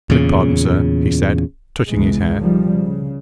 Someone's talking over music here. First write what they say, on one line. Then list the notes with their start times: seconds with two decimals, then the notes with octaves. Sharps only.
"Beg pardon, sir," he said, touching his hair.
0.10 E2 A#2 C#3
1.89 C#2 B2 E3 G#3
2.37 D#3 F3 G3
2.68 C#3